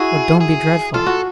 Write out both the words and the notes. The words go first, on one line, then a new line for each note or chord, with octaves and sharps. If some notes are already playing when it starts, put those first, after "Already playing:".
Oh, don't be dreadful!'
Already playing: E4 F#4 G#4
G#4
F4 A4
F#4